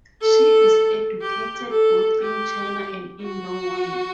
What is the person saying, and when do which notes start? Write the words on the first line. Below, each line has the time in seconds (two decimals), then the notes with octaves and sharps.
She is educated both in China and in Norway.
0.22 A4
1.22 G4
1.71 A4
2.21 G4
3.21 F#4